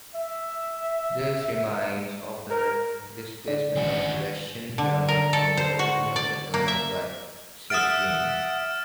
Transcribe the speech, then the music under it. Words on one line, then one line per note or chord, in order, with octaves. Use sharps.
This reminds of the displacement of Russian Germans from their original settlements by Stalin.
E5
A#4
D3 D5
A1 D#3 F#4
D3
A#4
A4
C5
F#4
D5
A#3
E5
E5 F#5 D#6 F6 A6 D7 E7